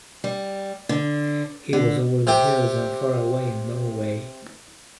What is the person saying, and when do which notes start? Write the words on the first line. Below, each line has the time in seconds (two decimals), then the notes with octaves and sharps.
He was over the hills and far away in Norway.
0.24 G3
0.89 D3
1.73 D3
2.27 C3 G4